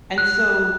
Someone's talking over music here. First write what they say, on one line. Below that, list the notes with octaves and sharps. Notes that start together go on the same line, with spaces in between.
And so,
F#6